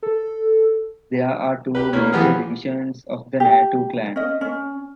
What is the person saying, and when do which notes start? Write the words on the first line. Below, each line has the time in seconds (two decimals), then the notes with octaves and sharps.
There are two major divisions of the Natu clan.
0.03 A4
1.75 G4 B4
1.93 A3 A#3 C#4 E4
2.12 E3 F3 B3 G4 G#4
3.40 G4
4.16 C#4 D#5
4.41 C#4